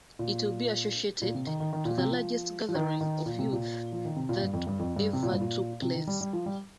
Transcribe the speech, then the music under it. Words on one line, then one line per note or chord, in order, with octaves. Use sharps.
It will be associated to the largest gathering of youth that ever took place.
A#2
A#2
C3
D#3
D#3
D#3
A#2
C3
F3
F3
D#3
D#3
A#2
C3
A#2
F3
D#3
C3
A#2
G2
F2
G2
F2
G2
C3
A#2
G2
A#2
C3
D#3
G3
G3
F3
G3